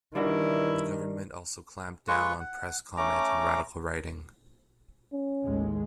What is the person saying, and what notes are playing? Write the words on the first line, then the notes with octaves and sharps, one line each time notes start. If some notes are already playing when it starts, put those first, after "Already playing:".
The government also clamped down on press comment and radical writing.
D#3 E3 G3 D4 E4 F#4
G#3 F4 B4 C#6
F#5
A3 C#4 A#5 D6
C#4
A1 D#2 G#3